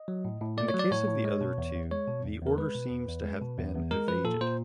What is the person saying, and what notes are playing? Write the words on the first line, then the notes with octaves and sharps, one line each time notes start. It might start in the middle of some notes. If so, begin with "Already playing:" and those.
In the case of the other two the order seems to have been evaded.
Already playing: D#5
F#3
A2
A2
A3 D5
C#5
F#3
D5
A2 C#5
A2
G#3
B2
E2
E2
G#3 C#5
B2
E2
E2
A#4
G#3 B4
B2
E2
E2
G#3
B2
E2
E2
G#3 A#4
F3 B4
A#2 A4
A#2 C5